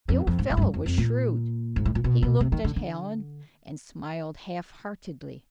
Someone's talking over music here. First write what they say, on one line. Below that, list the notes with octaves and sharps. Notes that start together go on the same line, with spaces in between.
The old fellow was shrewd--he looked at Hallen and smiled half-heartedly.
F2
F2
G#2
G#2
G2
F#2
F2
F2
A#2
G#2
A2
A#2
B2
B2
C3
D#3
D3
D3